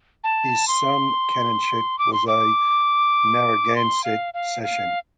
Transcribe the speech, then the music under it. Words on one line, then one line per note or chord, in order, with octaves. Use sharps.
His son Canonchet was a Narragansett sachem.
A5
C6
D6
C6
D6
C6
F5
F5
F5